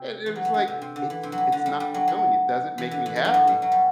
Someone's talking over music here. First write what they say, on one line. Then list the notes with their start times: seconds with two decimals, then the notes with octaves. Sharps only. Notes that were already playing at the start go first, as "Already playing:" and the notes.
and it was like, "It's it's not fulfilling, it doesn't make me happy."
Already playing: C3
0.26 E3
0.36 F#3
0.45 E3
0.54 D3
0.68 C3
0.82 C3
0.96 D3
1.10 E3
1.23 C3
1.32 F#3
1.38 E3
1.52 D3
1.66 G3
1.80 G3
1.94 F#3
2.08 F#3
2.78 E3
2.91 D3
3.06 E3
3.16 E3
3.25 F#3
3.34 A2
3.47 B2
3.62 F#3
3.72 G3